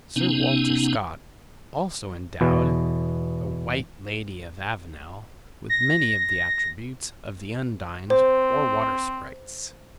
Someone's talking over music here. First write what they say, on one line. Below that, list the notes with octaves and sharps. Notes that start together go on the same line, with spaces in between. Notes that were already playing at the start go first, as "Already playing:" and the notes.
Sir Walter Scott also endowed the White Lady of Avenel with many of the attributes of the undines or water-sprites.
C3 B3 C#4 D#4
E2 B2
A#6
C4 C5